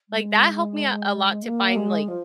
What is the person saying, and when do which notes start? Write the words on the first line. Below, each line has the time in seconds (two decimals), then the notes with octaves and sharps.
like, that helped me out a lot to find, like,
0.09 G#3
1.42 A#3
1.76 G#3
2.08 F3